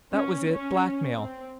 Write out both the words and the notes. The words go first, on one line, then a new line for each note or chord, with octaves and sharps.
That was it--blackmail.
C#4
C#4
C4